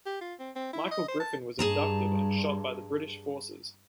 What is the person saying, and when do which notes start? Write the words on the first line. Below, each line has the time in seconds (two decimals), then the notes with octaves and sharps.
Michael Griffin was abducted and shot by the British forces.
0.06 G4
0.21 F4
0.39 C4
0.56 C4
0.73 E4
0.91 D#5
1.08 C5
1.20 A5
1.59 G2 G#4 A5 A#5